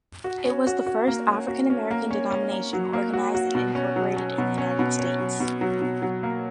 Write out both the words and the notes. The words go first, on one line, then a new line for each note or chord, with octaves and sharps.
It was the first African-American denomination organized and incorporated in the United States.
F#4
C#4
F#4
F#4
A#3
C#4
F#4
C#4
A#3
C#4
C#4
A#3
F#3
A#3
F#4
F#4
B2
C#4
F#3
C#4
B2
C#4
B2
C#4
F#3
B2
F#3
B2
F#3
A#3